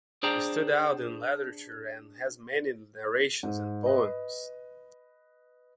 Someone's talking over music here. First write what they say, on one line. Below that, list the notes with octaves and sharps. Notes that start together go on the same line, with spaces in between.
He stood out in literature and has many narrations and poems.
D4 G#4 C5 D5 G5 A#5
G#2
B4 D#5